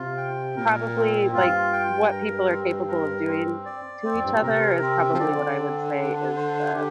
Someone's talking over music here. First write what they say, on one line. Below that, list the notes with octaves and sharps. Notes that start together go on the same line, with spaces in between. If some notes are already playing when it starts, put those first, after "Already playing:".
probably, like, what people are capable of doing to each other is probably what I would say is the,
Already playing: C3 F4
G5
A#2 A#4
C4
G2 F4
G5
A#4
C4
A#4
C4
D5
C4
F2
G2
A#2
C3 A#4
C4
F3
D3 D5
C4
D4
C5
D3 G4